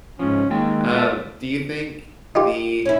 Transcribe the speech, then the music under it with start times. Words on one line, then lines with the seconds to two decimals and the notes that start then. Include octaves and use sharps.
Um, do you think the
0.19 G#2 F3 C#4
0.50 D#3 G#3 A#3 G5
0.93 F4 A4 E5
2.35 D#4 F4 G4
2.86 C#4 E4